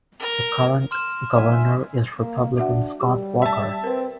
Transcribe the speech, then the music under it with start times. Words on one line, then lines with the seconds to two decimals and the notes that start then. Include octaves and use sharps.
The current governor is Republican Scott Walker.
0.19 A#4
0.91 C6 F6 E7
1.36 E5 G#5
2.19 A#3
2.57 D4 F#4 E5 F#5
3.01 G3 G4
3.42 E5 A5
3.84 C4 A#4 B4